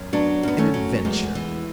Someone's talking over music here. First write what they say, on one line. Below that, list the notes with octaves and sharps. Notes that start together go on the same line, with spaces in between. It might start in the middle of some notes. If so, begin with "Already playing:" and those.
An adventure!
Already playing: F#2
F#3 B3 D4
F#2 B3
A3 C#4
F#3
E2 G#3
E3